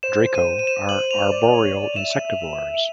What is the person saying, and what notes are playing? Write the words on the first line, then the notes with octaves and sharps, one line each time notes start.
"Draco" are arboreal insectivores.
C5 E7
D#7
D#7
E7
F#7
F7
D5
C#5
D5
E5 E7